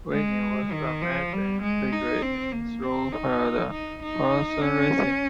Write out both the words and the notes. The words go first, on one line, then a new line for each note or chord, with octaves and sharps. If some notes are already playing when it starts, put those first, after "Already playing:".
Whitney was a major figure in thoroughbred horse racing.
G#3
D#3
F3
G3
G#3
D#4
C4
A#3
C4
D#4
D#4
D#4
C#4